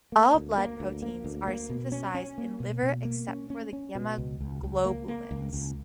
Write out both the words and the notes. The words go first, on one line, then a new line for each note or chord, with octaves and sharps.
All blood proteins are synthesized in liver except for the gamma globulins.
A#3
D2
A#3
D2
A#3
D2
A#3
B2
C#4
C#4
A#3
B2
B2
A#3
C#4
C#4
C#4
B2
C#2
C#2
C#2
A#3
A#3
C#2
C#2